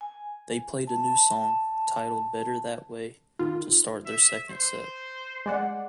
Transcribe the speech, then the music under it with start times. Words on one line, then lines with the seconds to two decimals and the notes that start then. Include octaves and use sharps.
They played a new song, titled "Better That Way", to start their second set.
0.01 G#5
0.87 A5
3.39 D#3 F4
4.06 E5
4.50 C5
5.46 G#3 D5 F#5